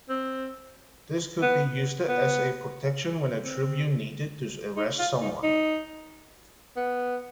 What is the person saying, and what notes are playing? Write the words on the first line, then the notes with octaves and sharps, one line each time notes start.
This could be used as a protection when a tribune needed to arrest someone.
C4
B3
B3
C4
D#4
F4
D#4
D#4
B3